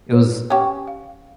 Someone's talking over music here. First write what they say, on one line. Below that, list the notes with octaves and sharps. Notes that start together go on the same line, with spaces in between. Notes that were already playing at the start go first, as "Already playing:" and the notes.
it was
B4 C#5
C#4 G4 C#5 F#5 C#6
F5